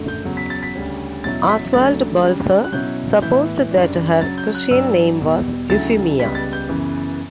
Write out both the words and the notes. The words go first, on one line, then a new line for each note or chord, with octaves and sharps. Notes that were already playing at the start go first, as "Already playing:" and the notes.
Oswald Balzer supposed that her Christian name was Eufemia.
Already playing: F#2 D3 A3
G6
E2 C#3 F#3
B6
A6
B6
D2 C#3 G3 C#4
E2 B2 F#3 C#4 E4 A6
B6
D2 C#3 F#3 A3 D4 A6
C#3 G3 D4
F#6
B2 F#3 C#4 E4 G6
A2 E3 B3 E4 G6
F#2 C#3 G3 D4
C#3 F#3 C#4 A6
G6
F#6
G2 F#3 B3 D4 E6
E2 B2 G3
D2 C#3 F#3 A3 E4 A6
C#2 C#3 G3 B3 B6
A6
G6
F#2 C#3 E3 B3